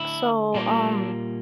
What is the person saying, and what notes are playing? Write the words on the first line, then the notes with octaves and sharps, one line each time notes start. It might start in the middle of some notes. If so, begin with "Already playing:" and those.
so, um,
Already playing: D3 A3 D4 E4
A#2 G3 A#3 D4